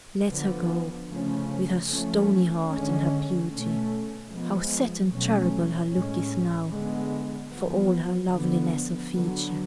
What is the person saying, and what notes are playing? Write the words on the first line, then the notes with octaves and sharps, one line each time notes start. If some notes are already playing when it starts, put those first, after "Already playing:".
Let her go,--with her stony heart, and her beauty;--how set and terrible her look is now, for all her loveliness of feature!
D3 F3 B3
C#3 F3 A3 C#4
F3 A3 C#4
D3 G#3 C#4
B2 A3 C#4
F3 G#3 B3
B2 F#3 A3 C#4
A2 G#3 C#4
D3 G#3 B3
F3 B3
D3 F3 B3
D3 F#3 B3